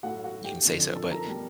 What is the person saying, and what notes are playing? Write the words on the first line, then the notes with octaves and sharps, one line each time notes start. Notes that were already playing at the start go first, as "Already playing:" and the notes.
you can say so, but
A2 F#3 F#4 F#5
F#4 F#5
G4 G5
F2 D3 F3
A4 A5
A#4 A#5
B2 G3